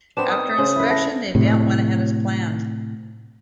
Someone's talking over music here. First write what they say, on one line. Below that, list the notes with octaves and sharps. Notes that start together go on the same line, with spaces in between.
After inspection, the event went ahead as planned.
B3 C4 D4 E7
D#4 A#4 D#6
C#3 C5
E4 B4
A3 A#6
A2 C3